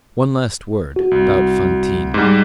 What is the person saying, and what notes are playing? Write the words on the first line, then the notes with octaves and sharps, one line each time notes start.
One last word about Fantine.
F#4
C2
G#2 G3